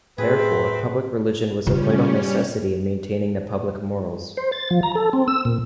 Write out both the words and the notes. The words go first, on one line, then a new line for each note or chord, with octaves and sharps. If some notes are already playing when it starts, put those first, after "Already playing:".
Therefore, public religion was a vital necessity in maintaining the public morals.
A2 A3 C4 G#4 B4
C#3 G3 C#4 F4
C5
A6
F3
A#5
A4
C4
E6
A#2